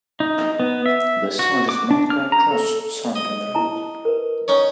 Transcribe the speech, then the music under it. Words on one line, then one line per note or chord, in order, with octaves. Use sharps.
The site is marked by a cross sunk in the road.
D#4
B3
E5
F#4
D6
D4
F6
A#5
A4
D#5
E4 A5 A#5
A#4 B4
C#4 D#4 C#5